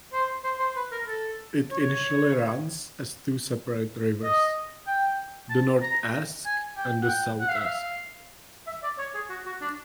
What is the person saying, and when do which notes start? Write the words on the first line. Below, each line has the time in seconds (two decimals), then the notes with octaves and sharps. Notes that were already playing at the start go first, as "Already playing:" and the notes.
It initially runs as two separate rivers: the North Esk and the South Esk.
0.13 C5
0.44 C5
0.60 C5
0.76 B4
0.92 A#4
1.08 A4
1.71 C#5
4.24 D#5
4.87 G5
5.51 A5
5.82 A#5
6.46 G#5
6.77 G5
7.03 F#5
7.08 G5
7.40 F#5
7.49 F5
7.57 E5
7.66 F5
8.67 E5
8.83 D5
8.99 C#5
9.15 G#4
9.29 F#4
9.46 F#4
9.61 D4